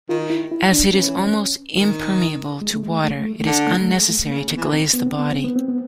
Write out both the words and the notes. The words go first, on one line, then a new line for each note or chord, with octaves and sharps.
As it is almost impermeable to water, it is unnecessary to glaze the body.
D#3 F4
E4
E4
D4
E3 C#4
D#3
G#3
A3
G#3
A3
A3
D3
A3
G#3
A3
C#3 A#3
B3
E3
C4
B3
C4
B3
C4
B3
C4
B3